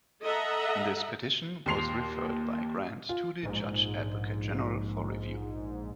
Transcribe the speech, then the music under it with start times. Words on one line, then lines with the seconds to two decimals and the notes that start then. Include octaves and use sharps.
This petition, was referred by Grant to the Judge Advocate General for review.
0.22 A4 D#5 E5 F#5 A#5
1.66 D#2 A#2 C6 C7 F7
3.09 F4
3.43 A#1 G#2